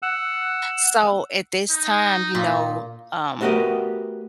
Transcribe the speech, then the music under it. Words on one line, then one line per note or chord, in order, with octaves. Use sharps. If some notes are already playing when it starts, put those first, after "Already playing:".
So, at this time, you know, um,
F#5 E6
D#4
A#2
A3 B3 F#4 G4 A#4 D#5